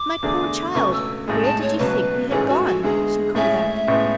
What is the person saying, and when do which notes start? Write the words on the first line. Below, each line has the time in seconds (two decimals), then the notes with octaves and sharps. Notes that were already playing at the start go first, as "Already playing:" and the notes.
"My poor child, where did you think we had gone?" she called out.
Already playing: D6
0.23 E2 D3 A3 D4 G#4
0.75 C#2 B2 A3 C#4 C#6
0.93 E6
1.28 A1 A2 G#3
1.45 A5
1.62 C#5
1.79 C#2 B2 F#3 B4
2.31 A1 G#2 E3 A3 C#4 G#4
2.48 F#4
2.67 F#4
2.83 E2 D3 G#3 G#4
3.35 A2 G#3 C#4 E4 E5
3.88 A1 A2 G#3 B3